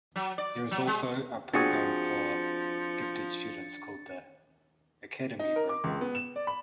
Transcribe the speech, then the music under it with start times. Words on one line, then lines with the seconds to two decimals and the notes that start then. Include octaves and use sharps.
There is also a program for gifted students called the "Academy Program".
0.16 F#3
0.38 D5
0.71 F#3
0.87 G#3
1.54 F3 C4 D4 F#4 G#4 A6 C#7
5.39 D#4
5.56 A#4
5.69 D6
5.84 C#2
6.01 B3
6.15 E7
6.36 D5
6.47 B5